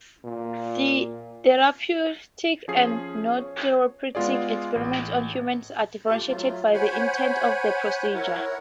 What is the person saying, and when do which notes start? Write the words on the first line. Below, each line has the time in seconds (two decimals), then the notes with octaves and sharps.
Therapeutic and nontherapeutic experimentation on humans are differentiated by the intent of the procedure.
0.24 A#2
2.68 F3 C#4 G#4 C7
3.38 C#5
4.15 G#3 B3 F4 G#4 D5
4.75 A1
6.06 G#2 A3 F4 G4 A5
6.26 F#3 A3 F4
6.73 C5 C#5 F#5 G#5 B5
8.14 E4 A#4 C#5 F#5